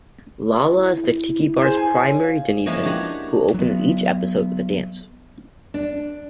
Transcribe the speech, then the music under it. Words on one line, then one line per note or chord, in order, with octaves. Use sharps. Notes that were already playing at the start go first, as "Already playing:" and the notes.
Lala is the Tiki Bar's primary denizen who opens each episode with a dance.
E4
G#4 C5
G#5
C#5
F5
F3 G#3 A#3 C#4 E4
D4 F#4 G4 C#5 A#5 B5
F#3 B3
D4